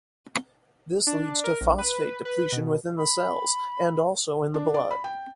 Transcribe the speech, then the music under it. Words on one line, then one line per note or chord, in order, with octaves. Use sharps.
This leads to phosphate depletion within the cells, and also in the blood.
D4
A#4
A#1
B4
B4
B2
B5
D4
D5
B5
G5